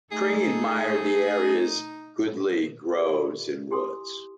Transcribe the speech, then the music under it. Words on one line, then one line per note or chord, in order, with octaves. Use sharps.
Pring admired the area's goodly groves and woods.
A3 D#4 G#4 A4
G4 A#4 D5 E5
F4 A4
E4 G4 G#5 C6 D6 D#6